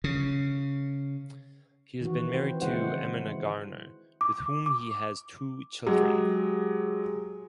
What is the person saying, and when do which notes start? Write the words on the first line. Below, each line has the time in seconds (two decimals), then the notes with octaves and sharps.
He has been married to Amina Garner with whom he has two children.
0.04 C#3
2.01 D#3 E3 F#4
2.29 C4 B4 C5
2.62 C#3 G#3 E4 C5 F#5
4.21 D6
4.66 D6
5.86 F#3 G#3 G4 G#4